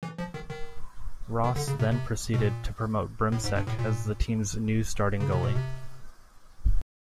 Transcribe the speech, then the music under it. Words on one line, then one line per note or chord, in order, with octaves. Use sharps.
Ross then proceeded to promote Brimsek as the team's new starting goalie.
E3
F3
D#3
D#3
D#3
D3
C#3
C3
C3
B2
A#2
A2
G#2
G2
A2
A#2
C#3
C3
B2
C3